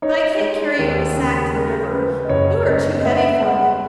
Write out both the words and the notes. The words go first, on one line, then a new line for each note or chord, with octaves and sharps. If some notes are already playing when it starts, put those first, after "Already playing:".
'But I can't carry you in a sack to the river; you are too heavy for me!
D#4 C#5
G#3
D#2
C#3
G#3 A#4
C#3 B4
D#5
F#1 C#5
F#2 D#5
D#5
B3 E5
G#3 F#5